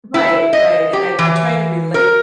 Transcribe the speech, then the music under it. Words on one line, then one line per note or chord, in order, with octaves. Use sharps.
Right, right, and I I try to relate
E4
D#5
G4
E3
A#4